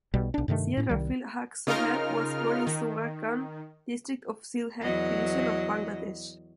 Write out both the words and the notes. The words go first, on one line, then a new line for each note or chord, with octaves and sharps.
Syed Rafiqul Haque Sohel was born in Sunamganj District of Sylhet Division of Bangladesh.
B1 B2 G3
B1 D4
G2 C3 D#3 A3
A2 C#4
C2 D#3 G3
C#3 D#4 F4 A#4 F6
D#3
E2 F#3 D#5